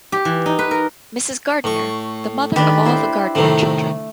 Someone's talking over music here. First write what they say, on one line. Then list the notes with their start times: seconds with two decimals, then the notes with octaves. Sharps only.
Mrs. Gardiner: The mother of all the Gardiner children.
0.12 G4
0.25 E3
0.46 D#4
0.59 B4
0.71 A#4
1.64 A2 C#6
2.56 D#3 D4 G4 B4 B5
2.85 E4 C5
3.35 A2 C3 D#3 A3